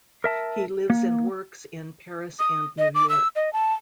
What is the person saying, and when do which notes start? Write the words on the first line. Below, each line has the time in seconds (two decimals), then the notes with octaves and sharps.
He lives and works in Paris and New York.
0.24 A#4 E5 A5
0.90 A#3
2.39 D#6
2.78 D#5
2.95 D6
3.09 E6
3.36 D#5
3.53 A5